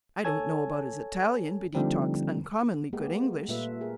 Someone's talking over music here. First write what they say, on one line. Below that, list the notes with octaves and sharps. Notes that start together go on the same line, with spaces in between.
'I don't know about his Italian, but he talks uncommonly good English.'
A4 C#5 G#5 A5 G#6
D3 F3 G3 A3 C4 D#4
G#3 A#3 B3 G4 G#4
A#2 G3 A3 F4 B4 E5
G#4 A#4